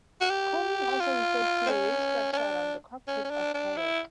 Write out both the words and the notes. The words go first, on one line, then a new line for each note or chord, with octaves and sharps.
Coaming also refers to the raised structure around the cockpit of a kayak.
F#4
G4
F4
C4
C#4
C#4
D4
C#4
C#4
D4
D4
E4